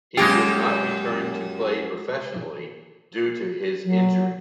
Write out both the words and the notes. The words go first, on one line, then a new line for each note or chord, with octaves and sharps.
He would not return to play professionally due to his injury.
F#2 G#3 A#3 F4 G4
F#3